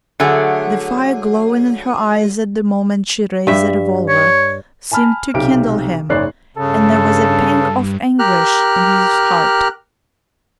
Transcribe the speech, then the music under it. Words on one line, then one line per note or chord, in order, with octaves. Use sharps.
The fire glowing in her eyes at the moment she raised the revolver seemed to kindle him and there was a pang of anguish in his heart.
D3 F#3 A3 G#4
G2 E5
C#5
G#5 A5 B5 F6
B1 C3 G4 D7
F#1 G#2 C#5 D5 F#6 C7
G2 C#3 A4
G4 A#4 F6 F#6